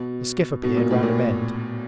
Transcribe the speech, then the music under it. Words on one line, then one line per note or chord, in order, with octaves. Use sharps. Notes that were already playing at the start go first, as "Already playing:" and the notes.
The skiff appeared round a bend.
Already playing: B2
B2
A#2
A2
A#2